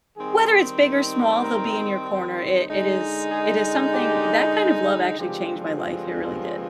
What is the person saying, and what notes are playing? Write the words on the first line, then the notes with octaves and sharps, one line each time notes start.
whether it's big or small, they'll be in your corner. It it is it is something that kind of love actually changed my life. It really did,
D#3 G3 C4 D#4 G#4
A#4
D3 G#3 D#4
G#4
G4
G2 D3 F3 G#3 C4 G4